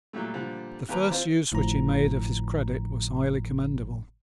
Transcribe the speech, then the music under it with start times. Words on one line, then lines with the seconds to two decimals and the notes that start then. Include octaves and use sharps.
The first use which he made of his credit was highly commendable.
0.13 A#2 F#3 G3 A3
0.34 A#2 D3 F3 G3
0.89 D#2 G4 A#4 B4 A#5
1.11 C4 F4 C5
1.52 G#1 A2 D3 F3 A#5